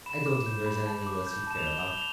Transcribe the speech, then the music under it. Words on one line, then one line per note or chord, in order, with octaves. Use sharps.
I don't think there is anything else you'd care about.
B5 E7
D6
G6
B5
A5
D6
G6
A5 E7
F7
G6 G7
F7
G6 G7
F7